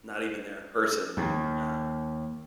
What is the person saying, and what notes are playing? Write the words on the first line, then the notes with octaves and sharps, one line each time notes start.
not even there in person, um,
D#2